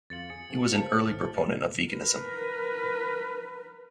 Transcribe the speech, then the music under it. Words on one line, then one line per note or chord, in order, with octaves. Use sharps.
He was an early proponent of veganism.
F2 F4 A6 C#7 F#7
G#4 G#5 C#7
C3 A3 F#4
A#3 C4 A#4 C5 A5
G#1 A2 F6
A#4 B4